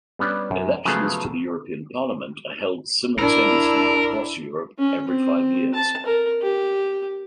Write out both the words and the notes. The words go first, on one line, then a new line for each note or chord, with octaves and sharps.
Elections to the European Parliament are held simultaneously across Europe every five years.
G3 B3 C#4 D4
F#2
C#3 F3 F#3 A3 B3 G#4
D4 E4 A#4
C#4
C4
A5
A#4
G4